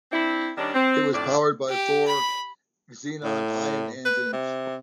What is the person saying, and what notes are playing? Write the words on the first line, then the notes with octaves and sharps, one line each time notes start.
It was powered by four xenon ion engines.
C4 D4 E4
D#3 G3 C#4 D4
C4
F2 A2 D4 D5
G4
B5
A2
B4
C3